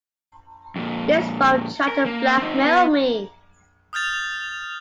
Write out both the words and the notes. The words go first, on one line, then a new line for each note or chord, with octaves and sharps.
This bum tried to blackmail me!
F2 A#2
A#4
A#3
C4 D#4
B3
D#6 F6 G6 A6 F7